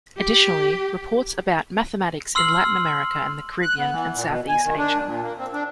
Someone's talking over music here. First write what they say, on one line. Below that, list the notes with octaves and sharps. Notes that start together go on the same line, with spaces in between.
Additionally, reports about "Mathematics in Latin America and the Caribbean and South East Asia".
G4
C6 E6 F6 C7 F#7
F#6
B3
E3
A#2
B2
G#5
D#3
D4
A#2
A#3
C4
D4